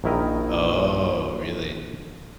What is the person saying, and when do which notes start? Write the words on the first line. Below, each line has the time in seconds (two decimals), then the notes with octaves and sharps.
Oh, really?
0.04 A#1 D#3 E4 A#4 D#5